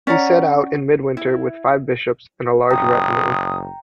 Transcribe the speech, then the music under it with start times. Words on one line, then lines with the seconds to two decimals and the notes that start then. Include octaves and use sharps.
He set out in mid-winter with five bishops and a large retinue.
0.07 C#4 D5 F#5 A#5
1.17 E4
2.71 F#1 G5 A#5 D#6